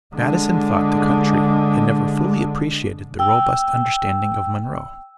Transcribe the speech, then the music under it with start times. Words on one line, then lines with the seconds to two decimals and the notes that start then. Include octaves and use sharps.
Madison thought the country had never fully appreciated the robust understanding of Monroe.
0.15 D3 G#3
3.19 G5 E6